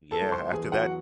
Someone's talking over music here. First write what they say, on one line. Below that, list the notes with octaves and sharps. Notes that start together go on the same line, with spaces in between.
Yeah, after that
A4 A5
C2
C5 C6
E2 G#4 G#5
F#4 F#5
F#3